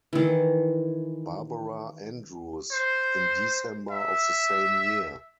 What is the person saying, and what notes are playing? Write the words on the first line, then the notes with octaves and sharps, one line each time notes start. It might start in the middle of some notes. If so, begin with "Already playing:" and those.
Barbara Andrews, in December of the same year.
D#3 E3
C5
E5